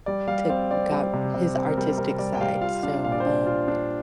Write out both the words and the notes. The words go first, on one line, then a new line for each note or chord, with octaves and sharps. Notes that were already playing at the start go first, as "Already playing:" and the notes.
took got his artistic side, so, um,
G3 D5
G3 F5
C4 F5
C4 D5
G3
C3
C3
C4
A#4
G3
C3 A#4
G3 D5
G5
G3 F5
F4 F5
D4 F5
A#2 F5
D5
C5
D4 D5
F4
D4